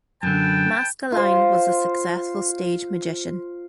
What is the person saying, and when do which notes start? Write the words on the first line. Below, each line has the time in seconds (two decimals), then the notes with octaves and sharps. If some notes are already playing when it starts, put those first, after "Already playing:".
Maskelyne was a successful stage magician.
0.23 F#2 D3 B4 G5 A5
1.12 F4 C5